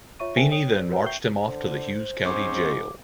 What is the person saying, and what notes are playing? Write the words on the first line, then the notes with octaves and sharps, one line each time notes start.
Feeney then marched him off to the Hughes County jail.
F4 C#5 E5 C#6 D#7
G#4 A#4 C5 E5 G5 G#5
C#5 G5 D#6
C5 D5
F#4 A#4 B4 C#5 F#5 A#5
E5 G5 C#6 G6 C7 G7
D3 C5
G#2 C4 C#4 D6